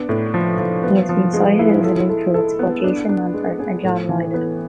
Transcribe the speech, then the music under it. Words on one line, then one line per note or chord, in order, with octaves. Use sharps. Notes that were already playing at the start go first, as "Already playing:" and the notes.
He has been cited as an influence by Jason Manford and John Lydon.
Already playing: B3 D4
A2
F3
F3
B3
F3
G#3
E4
A4
A4
A4
B3
D4
D4
G#3
G#4
A2
E3
B3